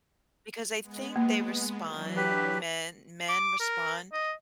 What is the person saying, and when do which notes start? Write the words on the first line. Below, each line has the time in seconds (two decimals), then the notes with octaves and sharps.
because I think they respond men men respond
0.81 G#3 B3
1.16 A#3
1.84 E3 F#3 D4
2.17 G4 B4
3.29 D6
3.60 A#4
4.13 D#5